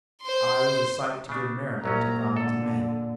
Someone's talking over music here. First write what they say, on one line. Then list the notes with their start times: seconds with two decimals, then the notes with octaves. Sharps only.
I was a sight to give merriment to gods and men.
0.22 C5 C6
1.29 C#3 D4
1.84 C2 A#2 F#3 C#4 A#5
2.36 D3 A4